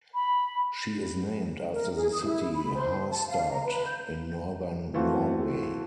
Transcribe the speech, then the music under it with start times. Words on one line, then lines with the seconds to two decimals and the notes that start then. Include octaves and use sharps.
She is named after the city Harstad in Northern Norway.
0.14 B5
1.73 A#4
1.96 G#4
2.13 D#6
2.24 E4
2.55 B5
2.74 C5
3.10 A5
3.28 F5
3.51 A#5
3.65 B4
3.85 G6
4.94 E3 A3 A#3 C4 F4 F#4